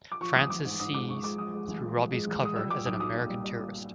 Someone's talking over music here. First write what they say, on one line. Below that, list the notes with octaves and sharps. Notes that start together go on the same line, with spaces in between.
Frances sees through Robie's cover as an American tourist.
D6
F3 C#6
A1 D#6
A1 D6
G#2
G#2 D#6
G#3 D6
G#2 C#6
G#3 D6
F3 D#6
G#3
A1
F3
F3
G#3
A1
G#3 D#6
G3 E6
G3 D6
B1 D#6
B1 D#6
A#2
G3
G3
A#2